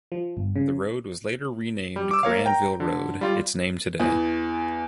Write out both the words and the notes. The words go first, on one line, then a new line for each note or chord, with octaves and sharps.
The road was later renamed Granville Road, its name today.
F3
G1
C#3
G3
D6 E6
A#3 A#4 C#5 F5
G5 A#5
D3
G3 F4
E2 E3